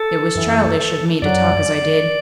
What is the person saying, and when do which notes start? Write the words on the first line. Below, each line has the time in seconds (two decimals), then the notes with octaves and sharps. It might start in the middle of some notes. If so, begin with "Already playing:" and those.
It was childish of me to talk as I did.
Already playing: A4
0.35 F#2 E3
1.22 F#2 F#3 D5